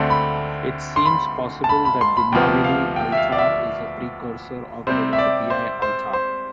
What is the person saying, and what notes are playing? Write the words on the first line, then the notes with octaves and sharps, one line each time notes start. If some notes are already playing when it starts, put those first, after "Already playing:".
It seems possible that the Mavilly altar is a precursor of the Verbeia altar.
Already playing: D2 D3 A3 C4 C6
B5
C6
B5
A5
B5
B5
C6
B5
D2 C3 F3 B3 G5
F5
G5
E5
F5
D5
E5
C3 G3 C4 C5
E5
D5
C5
C5
C5